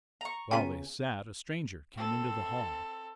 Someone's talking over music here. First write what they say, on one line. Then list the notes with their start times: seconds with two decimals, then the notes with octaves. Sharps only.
While they sat, a stranger came into the hall.
0.21 A#5 C#6
0.51 C#3 B3 F4 G5 G#5 B6 D#7
1.95 C4 A4